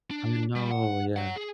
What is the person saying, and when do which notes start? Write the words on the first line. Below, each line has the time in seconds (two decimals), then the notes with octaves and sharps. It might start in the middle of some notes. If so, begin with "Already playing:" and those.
I know, yeah.
0.11 D4
0.55 G3
0.71 F#5
1.16 C#5 F#5
1.36 G#4